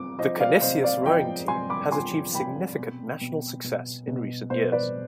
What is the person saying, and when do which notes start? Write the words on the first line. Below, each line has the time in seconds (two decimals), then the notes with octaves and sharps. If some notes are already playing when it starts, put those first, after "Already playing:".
The Canisius rowing team has achieved significant national success in recent years.
Already playing: C3 F3 D6
0.19 F3 C5 D#5
0.40 D5 F5
0.62 C3 C5 D#5
0.84 D5 F5
1.05 F3 D#5 G5
1.48 C3 G#5 C6
1.70 B5 D6
1.91 F3 G#5 C6
2.34 C3 G5 B5
2.78 B2
3.21 B2
3.64 B2
4.07 B2
4.50 B2 C5
4.72 B4 D5